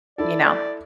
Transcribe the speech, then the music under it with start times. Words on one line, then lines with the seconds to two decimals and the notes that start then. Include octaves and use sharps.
You know?
0.18 E4 A4 D5